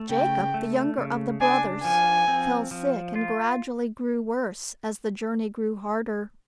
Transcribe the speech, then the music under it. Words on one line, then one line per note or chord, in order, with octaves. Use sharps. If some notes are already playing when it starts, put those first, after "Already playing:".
Jacob, the younger of the brothers, fell sick and gradually grew worse as the journey grew harder.
Already playing: A3
C#3 G5
A3
C#3
D4 G#5
F3 G#5
C4
F3
F4